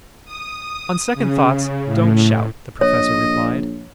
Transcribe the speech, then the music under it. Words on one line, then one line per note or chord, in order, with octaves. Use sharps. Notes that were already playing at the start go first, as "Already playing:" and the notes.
"On second thoughts, don't shout," the Professor replied.
D#6
C#3
A2
A#1 C#5 D#5